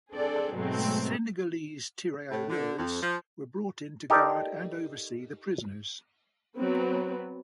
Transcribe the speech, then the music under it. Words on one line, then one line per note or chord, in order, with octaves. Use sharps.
Senegalese Tirailleurs were brought in to guard and oversee the prisoners.
C4 D4 G#4 A4 D5
G#2 B2 F#3 G#3 A3 C4
A2
D3
F2
F3
D#4 G4 A4 A#4 C5 D5
F#3 B3 C4 B4